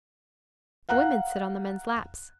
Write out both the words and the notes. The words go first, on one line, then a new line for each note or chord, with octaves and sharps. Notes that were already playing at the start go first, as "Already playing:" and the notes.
The women sit on the men's laps.
F5 F#5 A#5 F#6